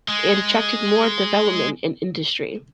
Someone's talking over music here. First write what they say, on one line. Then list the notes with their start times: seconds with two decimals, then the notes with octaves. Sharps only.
It attracted more development and industry.
0.08 G#3